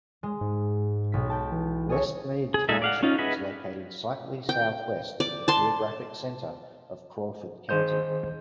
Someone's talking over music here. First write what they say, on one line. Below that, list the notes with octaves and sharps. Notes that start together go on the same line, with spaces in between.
West Mead Township is located slightly southwest of the geographic center of Crawford County.
G#3
G#2
B1 B6
G5 A5
E3
G#4 A4 C#5
G#4
G#3 D#4 G#4 A4 E5
D5 F5 F#5
C#4 D#4 F4
G#4 B4 D#5 E5 F#5
G5
D5
A5 C6
D#3 G#4 C5 D#5 G6